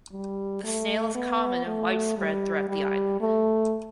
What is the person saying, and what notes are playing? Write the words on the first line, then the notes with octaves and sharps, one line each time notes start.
The snail is common and widespread throughout the island.
G3
A3
B3
A3
G3
G3
A3